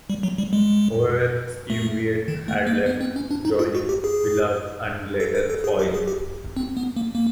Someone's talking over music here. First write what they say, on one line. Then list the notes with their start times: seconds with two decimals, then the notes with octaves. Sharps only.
However, Steve Wied had left, joining Willard, and later Foil.
0.10 G3
0.23 F#3
0.38 G3
0.53 G#3
1.70 A3
2.28 D#3
2.48 A3
2.67 A#3
2.86 B3
3.01 C4
3.16 C#4
3.31 D4
3.45 D#4
3.59 F4
3.75 F#4
3.89 G4
4.04 G#4
5.20 A4
5.35 A#4
5.50 A4
5.64 G#4
5.79 G4
5.94 G#4
6.08 G4
6.57 C4
6.77 B3
6.96 A#3
7.15 A#3